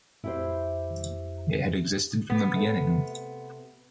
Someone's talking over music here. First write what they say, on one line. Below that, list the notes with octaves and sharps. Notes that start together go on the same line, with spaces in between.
It had existed from the beginning.
F2 E4 G4 C5
B3
C3 A3